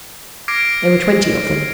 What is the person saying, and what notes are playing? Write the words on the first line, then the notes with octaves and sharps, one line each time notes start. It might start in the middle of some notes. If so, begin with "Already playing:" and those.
There were twenty of them.
D6 F6 G#6 A#6 C7 D7